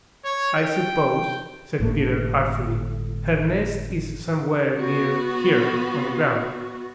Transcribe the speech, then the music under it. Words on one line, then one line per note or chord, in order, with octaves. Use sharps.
"I suppose," said Peter artfully, "her nest is somewhere near here on the ground."
C#5
G5
G1 A2 A3 A#3
B3 F#4